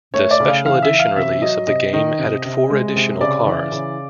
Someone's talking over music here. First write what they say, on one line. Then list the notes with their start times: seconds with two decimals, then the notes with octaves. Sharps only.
The "Special Edition" release of the game added four additional cars.
0.14 A3 C#5
0.31 D5
0.40 C#3
0.48 F5
0.65 E3 F5
0.82 E5
0.91 E3
0.99 F5
1.16 C3 E5
1.42 F#3 D#5
1.67 C3 D#5
1.93 D#3 D#5
2.19 C3
2.45 C3
2.70 G#3
2.96 C3
3.21 C#3 D5
3.46 E3
3.72 C#3